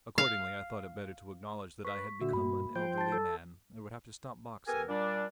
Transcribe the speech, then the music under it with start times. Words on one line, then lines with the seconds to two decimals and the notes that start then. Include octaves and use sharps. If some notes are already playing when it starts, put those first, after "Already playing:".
Accordingly I thought it better to acknowledge that I had become an elderly man and would have to stop boxing.
0.18 F5
1.85 B4 C#6 B6
2.21 A#2 D3 F#4 E5
2.33 G2 A#3 B5
2.76 F3 C5 G5
2.98 A5 A6
3.12 A4 E6
4.68 B3 G4 A4 A#4 G#5
4.89 A#2 G3 D4